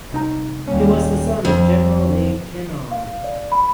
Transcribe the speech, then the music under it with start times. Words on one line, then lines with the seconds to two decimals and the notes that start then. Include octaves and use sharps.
He was the son of General Li Kenong.
0.12 C2 D#4 A#5
0.68 D#2 A#2 G3 C#4
1.45 F2
2.91 F5
3.24 D5
3.52 B5